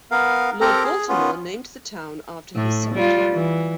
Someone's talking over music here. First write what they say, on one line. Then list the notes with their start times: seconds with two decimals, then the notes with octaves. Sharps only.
Lord Baltimore named the town after his secretary.
0.11 B3 A#4 F5
0.61 C4 G4 A4 A#4 A#5
0.83 G#4
1.09 B3 C#4 F4
2.55 A2
2.95 G3 F4
3.33 E3